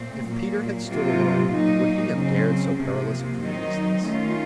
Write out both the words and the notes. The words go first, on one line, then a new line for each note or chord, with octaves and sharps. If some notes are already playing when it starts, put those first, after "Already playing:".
If Peter had stood alone, would he have dared so perilous a dream as this?
Already playing: A#2 A3 C4
A#2 F#3 A#3
C3 F#3 A#3 F4
A#2 F#3 A#3 D#4
C#3 F#3 C4
C3 F3 A#3
D#3 F#3 C4 D#4
D#3 A3 C#4 F4